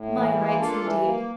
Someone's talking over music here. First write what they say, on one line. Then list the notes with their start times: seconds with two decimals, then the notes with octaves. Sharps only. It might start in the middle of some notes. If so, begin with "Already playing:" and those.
"My rights, indeed!"
Already playing: A2
0.15 E3
0.38 A#3
0.60 D4 F4 A4
0.82 E3
1.04 A#3